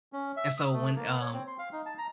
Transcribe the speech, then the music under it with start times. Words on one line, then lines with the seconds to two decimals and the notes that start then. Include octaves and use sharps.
and so when, um
0.13 C#4
0.37 E5
0.58 D#6
0.73 A3
0.96 A#3
1.21 C#5
1.33 C4
1.47 C6
1.59 F5
1.72 D#4
1.86 A5
1.98 A#5